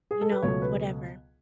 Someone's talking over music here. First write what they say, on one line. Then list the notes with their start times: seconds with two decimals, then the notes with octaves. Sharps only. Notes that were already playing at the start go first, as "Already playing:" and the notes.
you know, whatever.
0.11 G#4
0.21 A4
0.31 B4
0.43 C#2 B2 F#3 A3 C#5
0.62 B4